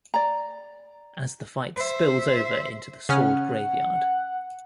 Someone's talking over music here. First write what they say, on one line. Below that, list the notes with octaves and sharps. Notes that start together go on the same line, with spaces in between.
As the fight spills over into the Sword Graveyard.
D5 A#5
C5 E5
C#3 C#4 F#5 F6